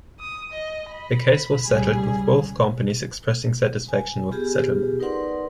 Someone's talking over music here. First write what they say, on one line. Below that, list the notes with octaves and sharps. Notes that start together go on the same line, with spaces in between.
The case was settled, with both companies expressing satisfaction with the settlement.
D#6
D#5
B5
C#2 G3 G#4
G#5
B3 F4 G4 G#4
D#4 A#4 B4 D5 F#5 C6